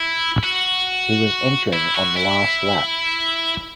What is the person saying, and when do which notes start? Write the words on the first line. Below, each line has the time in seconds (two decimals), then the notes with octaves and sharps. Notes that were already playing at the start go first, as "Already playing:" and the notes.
He was entering on the last lap.
Already playing: E4
0.44 F#4
1.73 E4
1.94 F#4
2.17 E4